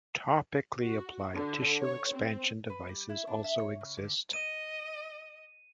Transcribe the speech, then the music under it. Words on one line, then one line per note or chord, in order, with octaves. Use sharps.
Topically applied tissue expansion devices also exist.
F#4
D3
C#5
C4
B4
G3
E4
D4
E5
C#5
C#3
D3
D#5 D#7